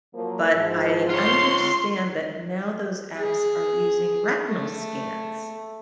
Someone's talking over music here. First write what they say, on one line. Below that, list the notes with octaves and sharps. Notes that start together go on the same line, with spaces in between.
But I understand that now those apps are using retinal scans.
F3 F#3 A#3
G#2 F3
F4 C#5 C6
G#4
A3